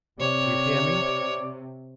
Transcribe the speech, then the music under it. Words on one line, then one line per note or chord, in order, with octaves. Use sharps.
Do you hear me?
C3 C#5 D5